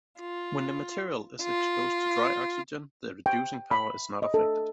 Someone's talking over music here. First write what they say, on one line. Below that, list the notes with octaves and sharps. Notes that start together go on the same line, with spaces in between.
When this material is exposed to dry oxygen the reducing power is not affected.
F4
F4
G5
B5
D#5
A4